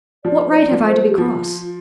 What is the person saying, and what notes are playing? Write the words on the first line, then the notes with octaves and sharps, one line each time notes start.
"What right have I to be cross?"
F3 D5
C5
D5
F3
C5
G4
F3 F4